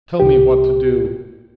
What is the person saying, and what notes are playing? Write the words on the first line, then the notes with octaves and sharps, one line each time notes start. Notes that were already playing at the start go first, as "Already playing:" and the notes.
Tell me what to do!...
C2 G4